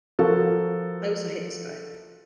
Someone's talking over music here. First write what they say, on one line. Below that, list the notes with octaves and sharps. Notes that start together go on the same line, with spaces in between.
I also hate this guy.
F3 F#4 A4 A#4